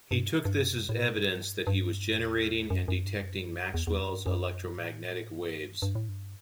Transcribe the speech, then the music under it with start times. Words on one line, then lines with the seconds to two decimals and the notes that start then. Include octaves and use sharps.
He took this as evidence that he was generating and detecting Maxwell's electromagnetic waves.
0.11 G2
0.45 G2
0.63 F#2
0.89 A2
1.14 G2
1.67 G2
2.19 E2
2.70 F#2
2.88 F#2
3.05 G2
3.22 F#2
3.74 E2
3.87 E2
4.00 F#2
4.14 G2
4.26 F#2
4.78 A2
5.30 G2
5.82 G2
5.95 A2
6.09 G2